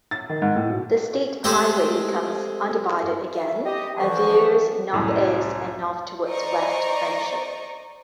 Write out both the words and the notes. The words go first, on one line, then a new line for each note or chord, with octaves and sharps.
The state highway becomes undivided again and veers northeast and north toward West Friendship.
A6
D#3
G#2
A2
B2
G#3 A3 C4 G4 C5
E5
G4 D#5 G5
D3 E3 F3 C#6
C2 F#2 A2
C5 D5 D#5 A#5 C#6